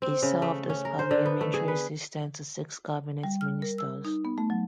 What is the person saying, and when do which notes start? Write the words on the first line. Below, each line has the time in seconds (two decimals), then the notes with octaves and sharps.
He served as parliamentary assistant to six cabinet ministers.
0.02 C4
0.22 C#3
0.42 A3
0.70 C#4
0.85 A#4
0.99 C5
1.11 D3
1.25 B3
1.41 A3
1.54 G#4
1.68 B4
3.24 G3
3.41 F6
3.62 A#4
3.78 E6
4.05 D#4
4.25 B3
4.38 A3
4.50 F#3